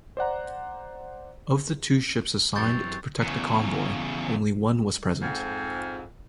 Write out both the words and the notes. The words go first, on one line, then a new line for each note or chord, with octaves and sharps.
Of the two ships assigned to protect the convoy, only one was present.
C5 D5 F#5 A#5
F#2 C3 E3 C#6 G6 A6
E2 C#3
F2 G#2